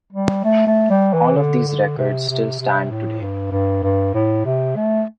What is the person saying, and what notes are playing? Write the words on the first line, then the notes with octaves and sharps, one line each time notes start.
All of these records still stand today.
G3
A3
A3
G3
E3
D3
D3
C3
C3
C3
A2
G2
G2
G2
A2
C3
A3